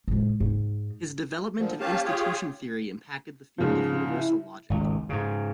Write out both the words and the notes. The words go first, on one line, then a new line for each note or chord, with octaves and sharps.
His development of institution theory impacted the field of universal logic.
A2 G#3
G#2
A#2 D3 F3
A#3 C#4 G4 F5 A5
F4 G4 G#4 C#5
G#2 C#3 F3
E4
G#1 C#2
G#2 C#3